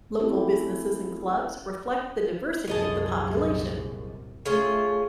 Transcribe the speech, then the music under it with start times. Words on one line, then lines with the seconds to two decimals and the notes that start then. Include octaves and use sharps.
Local businesses and clubs reflect the diversity of the population.
0.20 A3 C4 C#4 E4 G4 A4
2.68 C2 F#2 A#2 G#4 D#5 A5
4.46 A3 C#4 F4 G#4